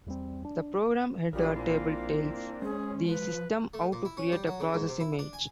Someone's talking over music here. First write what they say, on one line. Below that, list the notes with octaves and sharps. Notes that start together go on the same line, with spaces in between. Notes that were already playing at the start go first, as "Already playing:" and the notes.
The program header table tells the system how to create a process image.
E2 G3 C4
D4
A#1 C#3 F3 G3 F4 A#4
A#3 C4 D4 E4 G#5
G#3 C#4 G#4 C5
F3 B4
A3
A#2
E4
C#4
G3
F#3
C#3
G#2
C3
E4
D4
G#5